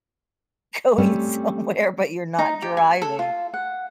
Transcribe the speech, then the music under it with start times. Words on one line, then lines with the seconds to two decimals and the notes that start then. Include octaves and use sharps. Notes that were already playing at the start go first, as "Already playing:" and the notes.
going somewhere, but you're not driving.
0.98 G3 A3 C4 C#4
2.39 D#4
2.62 G4
2.77 G#5
3.02 A4
3.19 F4
3.54 F#5